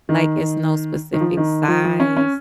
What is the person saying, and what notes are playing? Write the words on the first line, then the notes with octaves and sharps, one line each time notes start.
Like, it's no specific size,
D#3
D#3
F3
D#3
F3
F3
C#4
C#4